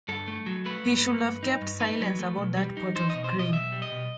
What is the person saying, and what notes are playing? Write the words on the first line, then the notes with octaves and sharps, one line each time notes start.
He should have kept silence about that pot of cream.
G2 A4
A3
F#3
A3 B4
G2
A3
G2
D#4
G2
D#4 B4
F#3
A3
B1
G3
D#4
D#4 C5
D#5
B2
C5
B2 D#5
B1 E5
G3
D#5
B2